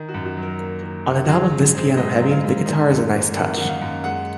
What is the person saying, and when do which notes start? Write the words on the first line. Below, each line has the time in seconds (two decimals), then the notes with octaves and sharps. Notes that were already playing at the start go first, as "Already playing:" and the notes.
On an album this piano-heavy, the guitar is a nice touch.
Already playing: D#3
0.09 F#4
0.14 F#2
0.25 F#4
0.37 F#3
0.42 A#4
0.59 A#3
0.82 D#3
1.05 F#2
1.25 F#4
1.29 F#3 G#4
1.52 G#2
1.75 C4
1.97 G#2 D#5
2.21 F#3
2.31 F5
2.44 G#2
2.66 D#3
2.89 F#2
3.13 A#3
3.35 F#2 F#5
3.57 D#3 F#5
3.69 F5
3.81 F#2
4.04 G#3 F#5